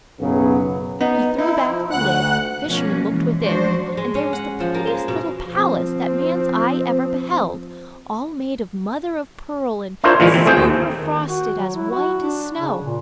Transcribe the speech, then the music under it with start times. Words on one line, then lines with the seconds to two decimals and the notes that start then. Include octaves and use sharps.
He threw back the lid; the fisherman looked within, and there was the prettiest little palace that man's eye ever beheld, all made of mother-of-pearl and silver-frosted as white as snow.
0.19 B1 F#2 C#3 F#3 B3
1.01 B3 D#4
1.38 D#4 E4
1.67 F3
1.91 D2 F#5 F#6
2.65 B2 F3 A#3 C#4
3.08 E3 G#3
3.43 F3 F#3 G#3 D4 F#4 C5
3.97 G#3
4.15 C#4
4.33 F#5
4.60 F3
4.74 A#3
4.87 G#3
5.08 B2
5.48 F3 C4
10.04 D4 E4 F4 A#4 C5 C#5
10.20 A#2 E3 F3 G#3
10.34 E3 C4
10.46 A3 C4 G#4 C5 G5
10.57 D#2
10.95 D#3
11.29 F#4
11.57 F#3
11.75 E4
11.91 F#4
12.20 D4
12.59 C#3
12.86 A#2